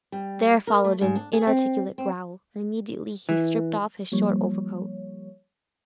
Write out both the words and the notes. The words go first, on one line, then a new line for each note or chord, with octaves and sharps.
There followed an inarticulate growl, and immediately he stripped off his short overcoat.
G3
A#4
A3
G#2
D4
G#4
C4
C4
E3
F3 G3 A#3 C#5